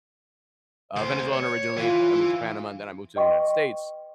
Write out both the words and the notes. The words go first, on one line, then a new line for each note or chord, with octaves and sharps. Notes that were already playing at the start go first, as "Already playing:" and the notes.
Uh, Venezuelan originally, I moved to Panama, and then I moved to the United States.
D2 C5
C#5
E3 E4 F4
B4 D#5 G5 C6 C#6